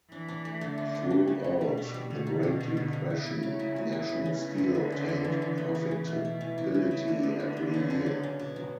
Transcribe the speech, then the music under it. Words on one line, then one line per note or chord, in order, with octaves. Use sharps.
Throughout the Great Depression, National Steel obtained profitability every year.
E3 D4
D4
A3
D3 A3
D4
D4
C#3 D4
G3
G3
B2 G3
D4
G3
B2 D3
D3
G4
D3
D3
D3
C#3 E4
E4
F#3
E4
F#3
E4
C#3 B4
C#4
A3
D3 B4
F#4
C#4
B3
E3
E3
C#3 B3
E3
E3
B2 A3
E4
E3
C#3 E4
C#4
E4
D3 F#4
B3
F#4
B3
C#3
C#3
F#3
C#4
B2
F#3